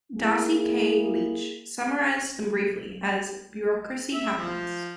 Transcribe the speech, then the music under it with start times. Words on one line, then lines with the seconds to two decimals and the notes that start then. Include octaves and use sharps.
Darcy K. Leach summarized them briefly as: Bureaucracy happens.
0.17 A#3 E4 G#4
4.14 E5
4.37 F3